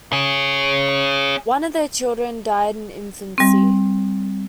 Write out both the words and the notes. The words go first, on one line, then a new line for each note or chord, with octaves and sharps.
One of their children died in infancy.
C#4 G#4
G3 C4